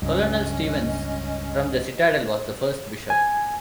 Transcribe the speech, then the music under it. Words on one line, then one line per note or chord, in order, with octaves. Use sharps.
Colonel Stevens from the Citadel was the first bishop.
C#2 G2 C#4 D#5
G#5